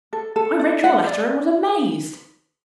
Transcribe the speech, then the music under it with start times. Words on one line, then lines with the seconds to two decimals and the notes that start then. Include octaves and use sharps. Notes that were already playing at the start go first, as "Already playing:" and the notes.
I read your letter and was amazed.
0.13 A4
0.36 A4
0.59 D5
0.84 F#5
1.07 D5